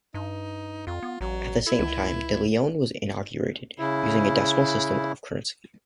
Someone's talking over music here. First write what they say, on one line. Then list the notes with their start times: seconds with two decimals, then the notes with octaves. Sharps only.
At the same time, the Leone was inaugurated, using a decimal system of currency.
0.14 G2 D#4
0.87 F2 F4
1.03 B3
1.21 A1 F#3
1.67 E4 A4
1.79 C#2
3.79 C#3 E4